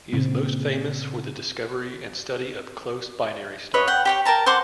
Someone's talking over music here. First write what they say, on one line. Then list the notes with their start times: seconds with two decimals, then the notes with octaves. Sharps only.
He is most famous for the discovery and study of close binary stars.
0.13 A#2 C#3 C4
3.74 B4 C#5 D#5
3.88 F#5 G5
4.05 G4 C#5 G5
4.25 A#4 G5 A5 A#5
4.46 C5 F#5 C6 D6